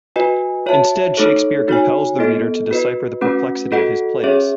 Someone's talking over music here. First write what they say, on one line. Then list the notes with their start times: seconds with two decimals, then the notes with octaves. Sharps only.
Instead, Shakespeare compels the reader to decipher the perplexity of his plays.
0.16 F#4 B4 D#5 G#5
0.66 F#4 C#5 E5 A5
1.17 A3 D#4 A4 C#5
1.68 D#4 F#4 C#5 G#5
2.19 B3 E4 A4 D#5
2.71 F#4 B4 D#5
3.21 A3 C#4 F#4 B4 F#5
3.72 F#4 A4 D#5 F#5
4.23 C#4 G#4 C#5 E5